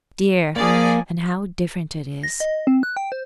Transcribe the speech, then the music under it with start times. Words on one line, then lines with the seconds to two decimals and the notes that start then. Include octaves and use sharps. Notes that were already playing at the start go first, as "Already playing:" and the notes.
Dear! and how different it is!
0.56 F3 A#3 G#4 D5
2.23 A#6
2.40 D#5
2.67 C4
2.83 F#6
2.97 G5
3.12 C5